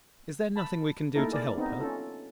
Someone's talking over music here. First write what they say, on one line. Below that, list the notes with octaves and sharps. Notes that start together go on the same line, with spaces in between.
"Is there nothing we can do to help her?"
A5 B5
A3 A#3 D#4 E4 A4 A#4
G#4 A#4 D5
B3 C4 D#4
C#4 F4 A4